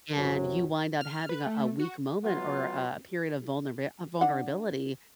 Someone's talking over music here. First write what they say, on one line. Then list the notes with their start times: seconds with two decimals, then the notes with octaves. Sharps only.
and you wind up having a a weak moment or a period of vulnerabi of vulnerability,
0.16 A1 F#2 C3 F#3
1.01 F6
1.29 B4
1.46 A3
1.80 F#4
2.24 F#3 B3 F4
4.21 D4 F#5